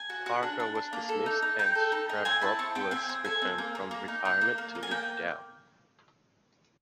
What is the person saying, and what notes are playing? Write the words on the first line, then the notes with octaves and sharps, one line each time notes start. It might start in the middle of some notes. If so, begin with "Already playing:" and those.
Parker was dismissed and Stavropoulos returned from retirement to lead Dow.
Already playing: G#5
F#4
F#4
D4
D4
D4
A#3
A4
D#4
D#4
D#4 G5
A4
D#4
D#4
C4 G#5
E4 A5
C4 C#6
C4 G5
C4 G#5
C4
A4 G#5
C4
A#3
A#3
A#3
D#4
D#4
A#3
A#3
A#3
G#5
A#3 G5